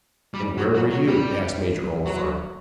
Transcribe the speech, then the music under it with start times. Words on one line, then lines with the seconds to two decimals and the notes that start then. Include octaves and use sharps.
"And where were you?" asked Major Oliphant.
0.34 G3
0.57 F#3
0.75 F#3
0.91 F#3
1.08 G3
2.06 F#3